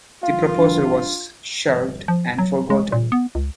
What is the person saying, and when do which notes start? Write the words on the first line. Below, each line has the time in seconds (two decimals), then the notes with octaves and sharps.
The proposal was shelved and forgotten.
0.23 F4 F5
0.58 D4
2.08 F3
2.39 F#3
2.70 G#3
2.92 A#2
3.12 B3
3.35 C#2